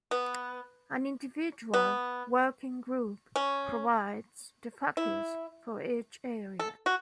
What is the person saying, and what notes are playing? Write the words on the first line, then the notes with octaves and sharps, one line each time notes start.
An individual working group provides the focus for each area.
B3
B3
C#4
E4
A4
F#4